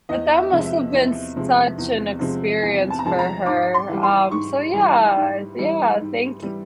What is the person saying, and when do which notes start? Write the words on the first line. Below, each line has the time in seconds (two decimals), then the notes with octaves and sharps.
But that must have been such an experience for her, um, so yeah, yeah, thank y
0.09 E2 D#5
0.37 E5
0.52 C3 F3 G#3
0.66 E5
0.93 E2
1.36 C3 F3 G#3
1.78 E2
2.20 C3 F3 G#3
2.63 E2 G#5
2.90 A5
2.99 A#5
3.05 C3 F3 G#3 A5
3.19 A#5
3.46 G#2 D6
3.74 C6
3.89 E3 G3
4.03 C6
4.31 G#2 C#6
4.73 E3 G3
5.16 G#2
5.58 E3 G3
6.00 G#2
6.42 E3 G3